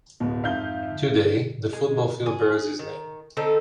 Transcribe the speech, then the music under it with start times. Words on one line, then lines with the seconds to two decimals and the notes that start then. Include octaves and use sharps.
Today, the football field bears his name.
0.20 D1 B2
0.44 F2 G#2 E5 F5 G6 G7
1.73 G#3
2.26 G#4
2.79 D#3
3.37 D3 C4 D#4 A4